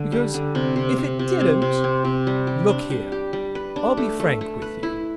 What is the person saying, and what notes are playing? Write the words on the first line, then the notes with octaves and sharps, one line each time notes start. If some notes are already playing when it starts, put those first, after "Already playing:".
Because if it didn't---- Look here, I'll be frank with you.
Already playing: D3
G3
D3
C3
C3
C3
C3
C4
C3
C4
C3
G3
G4
D4
G3
G4
G3
B4
D4
A3
A3
A3
B4
E4